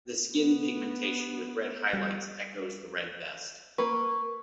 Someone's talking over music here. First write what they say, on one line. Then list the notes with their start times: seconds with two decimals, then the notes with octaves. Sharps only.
The skin pigmentation, with red highlights, echoes the red vest.
0.35 B3
1.93 G3
3.78 A#3 A#4 B4 C#6